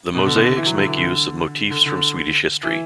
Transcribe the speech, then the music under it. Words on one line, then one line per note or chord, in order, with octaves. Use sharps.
The mosaics make use of motifs from Swedish history.
B2
D3
B2
D3
E3
F#3
D3
E3
D3
D3
D3
E3